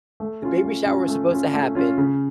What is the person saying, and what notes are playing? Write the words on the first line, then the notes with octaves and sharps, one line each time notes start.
the baby shower was supposed to happen,
A3
C#4 F4
A3
C#4 F4
A3
C#4 F4
A3
C#4 F4
C#3